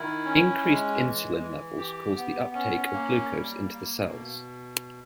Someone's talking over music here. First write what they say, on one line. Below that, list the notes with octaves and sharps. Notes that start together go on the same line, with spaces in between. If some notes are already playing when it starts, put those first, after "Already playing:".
Increased insulin levels cause the uptake of glucose into the cells.
Already playing: D#3 E4
C#4
G#3
E3
E3
G4
B3
C#4
A#3
G3
A#3
B2